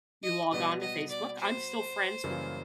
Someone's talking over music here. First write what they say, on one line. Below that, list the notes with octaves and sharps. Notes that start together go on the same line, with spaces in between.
you log on to Facebook I'm still friends with
D#5
B2 G3 B3 D#5
D#5
D5
C5
F#2 C#3 E3 G3 A#3